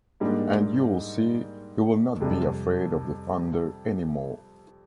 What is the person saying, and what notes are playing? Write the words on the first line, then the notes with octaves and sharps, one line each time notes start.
And you’ll see, he will not be afraid of the thunder anymore.
G#2 G3 A#3 D4
F2 C3 G3